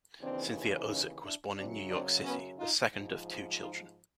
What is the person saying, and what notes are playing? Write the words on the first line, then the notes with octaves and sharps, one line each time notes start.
Cynthia Ozick was born in New York City, the second of two children.
D#2 C#3 E3 C4 D4
C#4 D#4
D4 E4
F#2 C#3 F#3 C4 D4
C4 D4
B3 C#4
D#4 F4
G#2 F3
D#4 F4